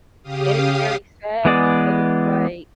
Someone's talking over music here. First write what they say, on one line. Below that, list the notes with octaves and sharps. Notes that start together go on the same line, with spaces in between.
And it's very sad because it's, like
C#3 G4 F5 D#6
E3 G#3 B3 G#4 D5